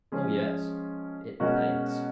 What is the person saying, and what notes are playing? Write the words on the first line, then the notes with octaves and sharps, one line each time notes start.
"Oh yes, it pays."
F3 G#3 C#4 G#4
B2 G#3 C#4 F#4 A#4